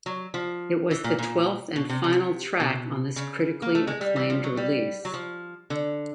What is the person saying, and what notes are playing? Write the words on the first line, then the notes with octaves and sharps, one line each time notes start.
It was the twelfth and final track on this critically acclaimed release.
F#3
F3
E3
A#2
A#2
B2
C3
C3
B2
C#3
A#3
A3
G#3
G3
E3
F3
F#3
G3
F#3
F3
D3